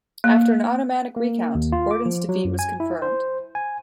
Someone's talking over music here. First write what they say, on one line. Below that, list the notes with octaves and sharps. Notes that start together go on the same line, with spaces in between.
After an automatic recount, Gordon's defeat was confirmed.
A#3
A#3
D#2
F4
D6
F3
F#3
F#2
G#5
E4
C5
G#5